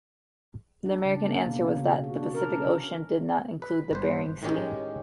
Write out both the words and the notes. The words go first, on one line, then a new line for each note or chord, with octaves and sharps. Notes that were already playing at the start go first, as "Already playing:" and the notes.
The American answer was that the Pacific Ocean did not include the Bering Sea.
D4
C#3
A#3
B2
C#4
C#3
F#4
D4
A#4
C#4
B4
G1 B4 C5
A2 D#3 G#3 C#4 G4 G#4